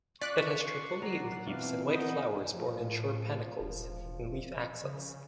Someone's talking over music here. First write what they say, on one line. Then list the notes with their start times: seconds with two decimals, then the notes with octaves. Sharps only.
It has trifoliate leaves and white flowers borne in short panicles in leaf axils.
0.21 C#4 F4 D5 C#6 F#6 B6
0.61 C7
1.02 F#3 A#5
1.47 B2 E3 C4 F5
1.89 B3 D#4
2.53 A2 F3
3.60 E1
4.84 C#3